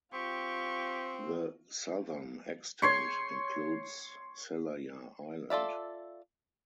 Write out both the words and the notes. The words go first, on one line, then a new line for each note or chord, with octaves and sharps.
The southern extent includes Selayar island.
C4 F4 G4 C#6
C#5 C6 C#6
F4 A4 D5 E5